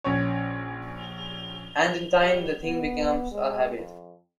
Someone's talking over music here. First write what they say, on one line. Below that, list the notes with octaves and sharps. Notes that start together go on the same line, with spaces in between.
And in time the thing becomes a habit.
A#1 C#4 C#5
G3
B3
G#3
F2